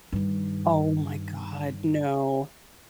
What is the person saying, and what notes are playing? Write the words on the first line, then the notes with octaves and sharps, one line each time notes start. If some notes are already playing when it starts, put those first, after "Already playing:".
Oh my God. No.
G2 D#3